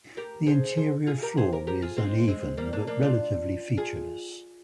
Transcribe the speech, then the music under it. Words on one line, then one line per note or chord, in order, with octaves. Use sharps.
The interior floor is uneven but relatively featureless.
G4 A#4
G#4 C5
G#4 C5
F4 G#4
G4 A#4
G#4 C5
G4 A#4
G4 A#4
F4 G#4
G#3 C4
G#3 C4
G3 A#3
A#3 D4
A#3 D4
D4 F4
F4 G#4